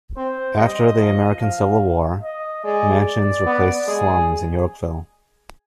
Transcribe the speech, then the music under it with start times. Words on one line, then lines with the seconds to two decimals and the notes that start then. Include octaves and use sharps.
After the American Civil War, mansions replaced slums in Yorkville.
0.17 C4 C5
0.58 G3 D#5
0.99 F3
1.40 F3 F5
2.23 D#5
2.64 G#3 D5
3.46 B3
3.88 G#3 G#4